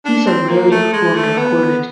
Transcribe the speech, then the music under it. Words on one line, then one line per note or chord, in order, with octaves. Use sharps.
These are rarely performed or recorded.
D4
C4
A#3
A3
G#3
A3
B3